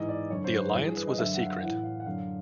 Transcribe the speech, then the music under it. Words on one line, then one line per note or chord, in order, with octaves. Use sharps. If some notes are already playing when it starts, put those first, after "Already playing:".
The alliance was a secret.
Already playing: G#2 E3 D#5
D5
F#2 D3 C#5
C5
B4
G2 E3
G#4
B4
D#5
F#2 D3 E5
F#5
F5
F5
A2 E3 F#5
F5
F#5
F#2 D3 F5